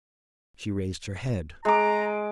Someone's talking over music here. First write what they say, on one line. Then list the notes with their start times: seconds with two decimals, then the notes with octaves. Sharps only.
She raised her head.
1.65 G#3 A#5 D6